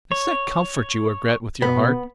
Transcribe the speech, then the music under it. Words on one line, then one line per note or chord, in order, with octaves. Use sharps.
It's not comfort you regret, with your heart!
C#5
B2 B3